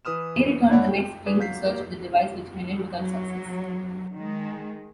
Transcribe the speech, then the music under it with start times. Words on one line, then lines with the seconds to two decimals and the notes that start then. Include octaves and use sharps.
They returned the next spring to search for the device, which ended without success.
0.05 E3 B4 D#6 F6 E7
0.69 D4 E4 C#5 D5 F#5 B5
0.87 G5
1.26 G#4 B4 D5
1.39 F#3 F5 G6 B6 C7
1.66 A#3 A#4
2.97 F#3
4.14 D#3 G#3